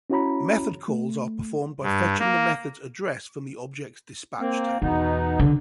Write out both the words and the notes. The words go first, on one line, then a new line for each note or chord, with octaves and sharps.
Method calls are performed by fetching the method's address from the object's dispatch table.
C#4 E4 F#4 C#5 A#5 B5
A3
G2
A#3
A#3 C4
E2 B2 B3 D#4
D3